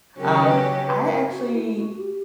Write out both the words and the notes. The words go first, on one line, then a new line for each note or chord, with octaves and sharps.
um, I actually
C#3 F#3 C#4 G4 A#4
B4
C#5
B4
B4
A#4
F#4
E4
E4
F#4
F#4
G4